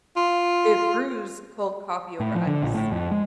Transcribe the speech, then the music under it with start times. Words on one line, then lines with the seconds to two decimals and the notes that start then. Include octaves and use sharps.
it brews cold coffee over ice.
0.16 F4
2.20 A2
2.35 F3
2.47 D3
2.63 A#1
2.74 A2
2.92 F2
3.11 G#3